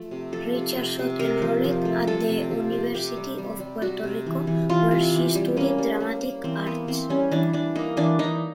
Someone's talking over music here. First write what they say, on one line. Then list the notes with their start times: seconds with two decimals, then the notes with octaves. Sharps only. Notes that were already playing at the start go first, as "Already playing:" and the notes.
Richardson enrolled at the University of Puerto Rico where she studied Dramatic Arts.
Already playing: F3 A3
0.11 C3
0.32 F3 A4
0.55 C3
0.77 C3
0.99 C3
1.19 C3 A#4
1.42 F3
1.64 F3
1.85 A3
2.07 C3 A4
2.29 C3
2.51 F3
2.72 C3
2.94 C3 G4
3.17 G3
3.38 G3
3.60 G3
3.82 G3 F#4
4.03 C3
4.26 E3
4.47 E3
4.69 E3 F4
4.91 C3
5.14 E3
5.35 G3
5.57 A#3 C#4
5.78 G3
6.00 A#3
6.23 A#3
6.44 E3 C4
6.66 A#3 B3
6.87 E3 C4
7.10 G3 C#4
7.32 E3 D4
7.53 E3 D4
7.76 A#3 D#4
7.97 E3 D4
8.19 E3 D#4